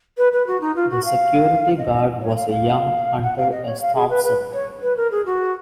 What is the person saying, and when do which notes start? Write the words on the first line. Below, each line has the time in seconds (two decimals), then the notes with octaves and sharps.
The security guard was a young Hunter S. Thompson.
0.17 B4
0.32 B4
0.47 F#4
0.60 D#4
0.75 F4
0.90 F#4
1.04 F5
1.77 D#5
1.91 D#5
2.21 C#5
2.35 F5
2.49 F5
3.22 F#5
3.37 F5
3.51 D#5
3.66 C#5
3.81 F5
3.95 G#4
4.09 B4
4.24 B4
4.53 C#5
4.82 B4
4.96 A#4
5.11 G#4
5.25 F#4